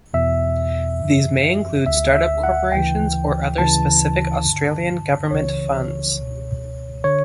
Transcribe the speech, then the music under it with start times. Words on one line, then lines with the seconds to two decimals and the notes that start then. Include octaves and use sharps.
These may include start-up corporations or other specific Australian government funds.
0.14 E2 B2 E5
1.00 F#2 E3
1.86 D2 D3 E5
2.15 E5
2.44 F#5
2.72 D2 C#3 E3 G5
3.58 D2 C#3 E3 A5
4.45 G2 D3
5.31 C#2 C#3 E3 C#5
6.18 C#2 B2
7.04 D3 C#5